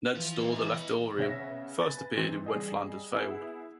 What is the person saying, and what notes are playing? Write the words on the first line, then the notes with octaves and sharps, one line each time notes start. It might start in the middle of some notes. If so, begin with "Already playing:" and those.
Ned's store "The Leftorium" first appeared in "When Flanders Failed".
E3 F3
G#3 A#3
D#5 B5
C#3 B3 C#4 E5 A#6
B4 G#5 A6
E3 C4 D#4
G3 G#4 D#5
B3 E4 G#4